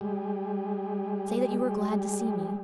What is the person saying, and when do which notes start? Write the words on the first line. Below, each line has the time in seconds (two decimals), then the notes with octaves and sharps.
"Say that you are glad to see me."
0.01 G3 G#3